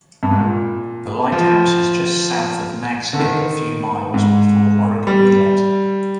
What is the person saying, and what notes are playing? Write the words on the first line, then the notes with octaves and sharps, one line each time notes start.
The lighthouse is just south of Nags Head, a few miles before Oregon Inlet.
G2
G#2
A#2
F3
D3
D#3
G#2
G3